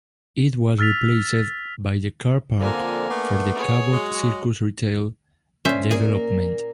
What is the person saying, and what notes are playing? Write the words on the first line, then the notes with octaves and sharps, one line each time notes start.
It was replaced by the car-park for the Cabot Circus retail development.
E6 F6 A6 B6 F7
F2 D3 F3 A#3 G#5
A3 B3 D4 A#4
G#4 C#5
F#3 G#3
A#2 D3 C#4 C5 E5
A#2 A#3 G#4 A#4